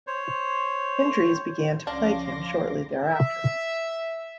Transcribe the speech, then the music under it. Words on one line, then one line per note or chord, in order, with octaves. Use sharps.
Injuries began to plague him shortly thereafter.
C5 C#5
C#2 F3 C#4 D4 F5 C6 D6 A#6
E5